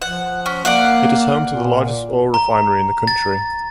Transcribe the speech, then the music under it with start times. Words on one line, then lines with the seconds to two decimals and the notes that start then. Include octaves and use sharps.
It is home to the largest oil refinery in the country.
0.02 F3 F#5
0.46 C#4
0.65 A#3 D5 F5 F#5
1.48 A#2
2.34 A#5
3.07 A6